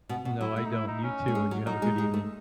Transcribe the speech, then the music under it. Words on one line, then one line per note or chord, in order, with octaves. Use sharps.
No, I don't, and you too, and you have a good evening.
B2
B2
F#3 E4
A3 E4
D#4
E4
D#4
C#4
A3
G#3
F#3
F#3 D#4
G#3
G#3
A3